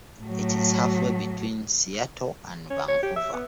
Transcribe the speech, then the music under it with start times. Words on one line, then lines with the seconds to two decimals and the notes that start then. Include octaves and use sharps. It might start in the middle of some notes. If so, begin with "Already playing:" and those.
It is halfway between Seattle and Vancouver.
0.23 A2 F#3
2.70 C#4
2.88 C#5
3.02 G4
3.16 E5
3.33 B3